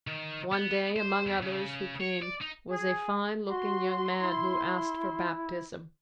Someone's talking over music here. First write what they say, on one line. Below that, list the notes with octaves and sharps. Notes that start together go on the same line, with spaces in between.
One day among others who came was a fine looking young man who asked for baptism.
D#3
B3
C5
E2
C#3
C#5
D5
D#4
G#4
F#4 C6
E4